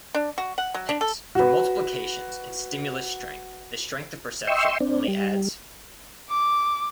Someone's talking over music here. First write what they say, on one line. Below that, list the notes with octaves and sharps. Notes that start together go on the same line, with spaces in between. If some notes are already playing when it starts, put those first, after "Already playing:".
Hence, for multiplications in stimulus strength, the strength of perception only adds.
D4
F#4
F#5
F#3
D4
A4
F#4 B4
D#5 E5 G5 C6 C#6 E6
C4 D4
G3
D6